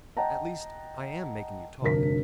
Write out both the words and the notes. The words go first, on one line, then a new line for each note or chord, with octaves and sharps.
At least, I am making you talk!
D#5 F#5 G5 A5 A#5
F1 D2 G2 A#4 B6